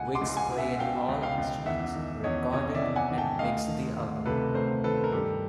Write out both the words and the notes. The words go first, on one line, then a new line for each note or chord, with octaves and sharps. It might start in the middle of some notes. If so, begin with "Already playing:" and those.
Wiggs played all instruments, recorded and mixed the album.
Already playing: C#2 F#5 G#5
C6 D6
C#2
F#5 G#5
B2
E5 F#5
B2 F5 G5
C#2
F5 G5
C#2
E2 E5 F#5
D#3
E2 C#5 D#5
C3 C#5 D#5
D5 E5
E2
F#5 G#5
D#3
G5 A5
D2 D#5 F5
D#3
D2
C3 A4 B4
D2 A#4 C5
D#3 A4 B4
A#4
G2 G4 A4